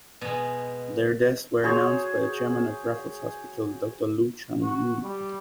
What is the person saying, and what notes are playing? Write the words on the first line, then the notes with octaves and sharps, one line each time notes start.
Their deaths were announced by the chairman of Raffles Hospital, Doctor Loo Choon Yong.
B2 G#3
F#4 G#4 C5 C#5
F#4
G3